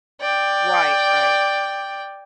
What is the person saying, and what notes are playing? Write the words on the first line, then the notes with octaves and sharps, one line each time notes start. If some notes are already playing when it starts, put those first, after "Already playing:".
Right, right.
D5 G5